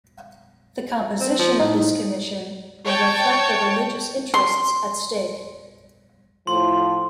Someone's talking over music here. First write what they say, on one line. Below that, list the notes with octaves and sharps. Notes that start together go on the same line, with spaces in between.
The composition of this Commission will reflect the religious interests at stake.
C4
F3
A2 D#4
C#5 G5 A5
C6
A2 F3 C6